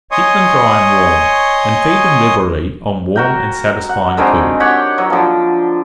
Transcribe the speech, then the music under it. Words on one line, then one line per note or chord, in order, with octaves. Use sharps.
Keep them dry and warm, and feed them liberally on warm and satisfying food.
C#5 D#5 G#5 C6 C#6 D#6
F#4 A#4 G5
F#5
D3 D#3 G#3 C4
G4 C#5 F#5
F#3
D3 F3